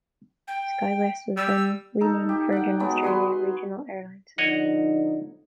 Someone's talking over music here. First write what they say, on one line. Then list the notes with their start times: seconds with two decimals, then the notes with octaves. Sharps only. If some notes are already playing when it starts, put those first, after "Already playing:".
Skywest was then renamed Virgin Australia Regional Airlines.
0.47 G5
1.37 G3 E6
2.01 D#4 A4
2.29 G4
2.52 F#5 G5
2.79 F#3 G#3 B3
3.03 F#4 G#4 B4 C6
4.38 D3 F3 D#4 C#5 D#5 F#5